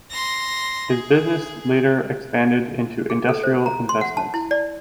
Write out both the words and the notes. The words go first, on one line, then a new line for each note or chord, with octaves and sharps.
His business later expanded into industrial investments.
C6 A#6
G#4
G#4
A4
C5
A#5
C6
F#5
A5
E4
D5